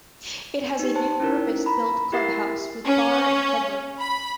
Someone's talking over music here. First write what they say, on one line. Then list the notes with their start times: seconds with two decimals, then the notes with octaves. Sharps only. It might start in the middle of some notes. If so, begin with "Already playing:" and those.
It has a new purpose built clubhouse with bar and clubroom.
0.79 D#4 G4
0.95 C5 A5
1.20 C#4 D#4 E4 A#4
1.66 A#5 B5
2.12 E4 G4 A#4 E5 A6 C7
2.85 C#4
3.99 B5